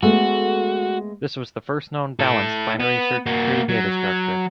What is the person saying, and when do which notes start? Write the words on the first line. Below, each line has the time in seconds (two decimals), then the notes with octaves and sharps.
This was the first known balanced binary search tree data structure.
0.03 G#3 A3 B3 F#4
2.20 E4 A4
2.80 B3
3.26 A#3 F#4
3.69 F#3